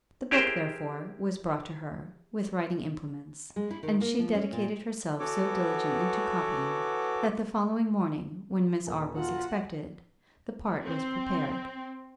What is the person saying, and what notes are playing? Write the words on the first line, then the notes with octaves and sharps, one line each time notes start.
The book, therefore, was brought to her, with writing implements, and she dedicated herself so diligently to copying, that the following morning, when Miss Arbe was expected, the part was prepared.
E4 G4 G#4 A#4 C5
G#3
E4
D#3
A#3
F3
C#4
A#2
E3 B3 F#4 A4 C#5 D6
D#1
F4 F#4 F#5
C4